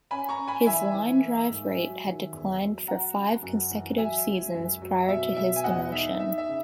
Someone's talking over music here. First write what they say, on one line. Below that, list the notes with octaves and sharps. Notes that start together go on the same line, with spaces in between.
His line-drive rate had declined for five consecutive seasons prior to his demotion.
C#4 G#5 B5
A#5 C#6
C#4
G#5 B5
E3 E5 G#5
E3
A#3
G#2
F#3
D#3
E2
F#3
F#3 F#5 A#5
C#3
F#2
E3
F#3 E5 G#5
C#2
F#2
F#3
B2 E5
B2 E5
G#5
E2 D#5 F#5
D#4 E5
D#4 E5
E5
C#3